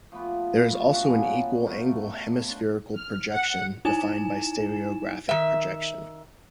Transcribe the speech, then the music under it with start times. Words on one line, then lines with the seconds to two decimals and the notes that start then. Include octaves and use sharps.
There is also an equal-angle hemispherical projection defined by stereographic projection.
0.12 F3 A3 B3 G4
0.72 A3 F4
0.93 G#3 D4 F#4 A4
1.09 A#3 B3 C#4 F4
1.66 A3 B3 A#4 G5
2.48 D4 C5
2.95 F6
3.32 F#5
3.85 D#4 E4 G#5 E7
5.29 D#3 E5